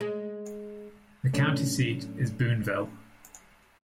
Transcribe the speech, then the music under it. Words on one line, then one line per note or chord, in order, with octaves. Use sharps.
The county seat is Boonville.
G#3
A2 F#3 A3 C#4 D4